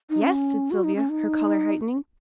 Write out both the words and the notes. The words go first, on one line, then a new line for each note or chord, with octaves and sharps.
'Yes!' said Sylvia, her colour heightening.
D#4
C#4
F#4
D#4
C#4
D#4